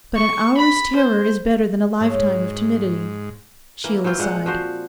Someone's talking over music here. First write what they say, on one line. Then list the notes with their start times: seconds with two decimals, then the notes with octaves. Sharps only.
But an hour's terror is better than a lifetime of timidity. Sheila sighed.
0.16 C#6
0.57 B5
0.96 C5
2.01 G#2 C#5 E6
3.84 E3 A#3
4.04 E3 F#3 C4 F4
4.18 A#2 G#3 F#5
4.46 F3 F#4 C5